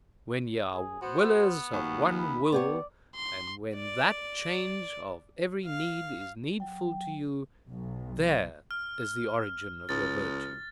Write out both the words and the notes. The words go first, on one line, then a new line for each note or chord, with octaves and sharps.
When ye are willers of one will, and when that change of every need is needful to you: there is the origin of your virtue.
G#4
B3 F#4 C5
D#2 F#4
B5
B3 G4 C#5 D5
C6
D5
F5
F#3 G5
B1
F6
C#2 A6